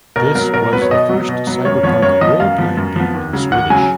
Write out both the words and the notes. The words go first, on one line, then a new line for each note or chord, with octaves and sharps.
This was the first cyberpunk role-playing game in Swedish.
B2 A#4
F#3 B3 A#4
B2 A#4
F#3 B3 B4
C#5
B2 D#5
F#3 B3
B2
F#3 B3
F#2 C#5
F3 B3 C#5
F#2 C#5
F3 B3 D#5
F#2 F5
F3 B3
F#2
F3 B3
D#2
C#3 F#3
D#2 F#5
C#3 F#3 G#5